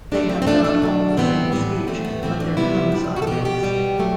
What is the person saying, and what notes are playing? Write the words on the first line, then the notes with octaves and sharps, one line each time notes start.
They have not all the same speech, but their tongues are mixed.
D3 A3 D4
C4
C4
B2 F#3 A3 D4
D4
B2 F#3 A3
A2 E3 G3 B3 C4
A2 E3 G3 B3
A2 E3 A3 C4
B3
A2 E3 A3 C4
D4
C3 G3 B3 E4
C3 G3 B3 D4
D4
F#4
A4
B2 G3 B3 G4
G4
B2 G3 B3
D3 F#3 A3